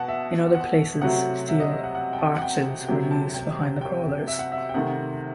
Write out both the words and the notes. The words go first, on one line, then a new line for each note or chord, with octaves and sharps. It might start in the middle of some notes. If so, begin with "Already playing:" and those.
In other places, steel "arches" were used behind the crawlers.
Already playing: B2 F#5 A5
E5
F#5
C3 F#3 A3 F#5
E5
D#5
E5
F#5
F#5
G5
A5
F#5
G5
C3 F#3 A3 G5
A5
G5
G5
E5
F#5
E5
G5
C3 D#3 A3 F#5